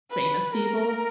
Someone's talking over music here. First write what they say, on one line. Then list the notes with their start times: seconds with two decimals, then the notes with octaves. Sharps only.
famous people,
0.11 B4
0.55 A#4